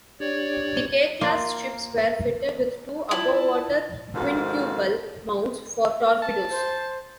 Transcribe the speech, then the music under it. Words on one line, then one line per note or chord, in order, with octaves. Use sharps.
The K-class ships were fitted with two above-water quintuple mounts for torpedoes.
D4 G4 C#5 D5
A#3 F4
C4 D4 E4 F4 A5 A#5
F2 G#2 C3 D#3 F#4 F5
A5
C5